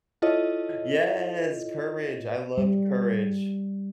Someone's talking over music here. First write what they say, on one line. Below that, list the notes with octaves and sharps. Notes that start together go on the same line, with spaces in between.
Yes! Courage, I loved Courage.
E4 F4 A4 C#5 D#5
G3